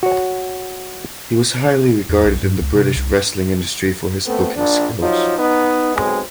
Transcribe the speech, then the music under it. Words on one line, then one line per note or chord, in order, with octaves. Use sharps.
He was highly regarded in the British wrestling industry for his booking skills.
F#4 C#5
E2
B1
G2
C#2
C3
C2
A3 B3 C4
A#1 D4
F3 F#3 D#4
B3 D#4
B1 G#3 C4